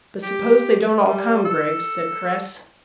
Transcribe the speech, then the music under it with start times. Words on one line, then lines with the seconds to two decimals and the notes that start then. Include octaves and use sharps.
"But suppose they don't all come, Griggs?" said Chris.
0.23 G4
1.07 G3
1.45 A4